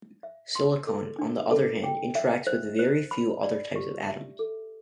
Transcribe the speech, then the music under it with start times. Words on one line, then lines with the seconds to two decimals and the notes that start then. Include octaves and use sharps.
Silicon, on the other hand, interacts with very few other types of atoms.
0.23 E5
0.55 C6
0.87 A4
1.19 D4
1.51 A4
1.84 G5
2.15 E5
2.47 C5
2.79 C5
3.11 B5
3.43 D5
3.76 G4
4.07 E5
4.39 A4